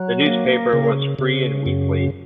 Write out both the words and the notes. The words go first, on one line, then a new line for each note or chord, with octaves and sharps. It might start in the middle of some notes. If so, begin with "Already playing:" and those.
The newspaper was free and weekly.
Already playing: F#3
A#3
C#3
C#3
F#2